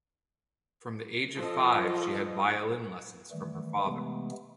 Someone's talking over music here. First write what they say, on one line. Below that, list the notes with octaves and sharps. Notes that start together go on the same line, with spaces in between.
From the age of five she had violin lessons from her father.
F3 F4 A4 D#5
D#3 E3 G3 A3
C3 E3 G#3 A3 B3